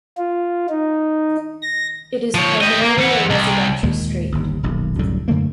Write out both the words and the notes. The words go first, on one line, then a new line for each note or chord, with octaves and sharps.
It is primarily a residential street.
F4
D#4
A#6
F3 C#5
G4 D#5
A#3
E3 F#5
C2
D#2 A#2 D#3 G#3
G1 D#2
D#1 B1 F#2
C2 F#2 A2 D3
F#2 D3 A3 A#3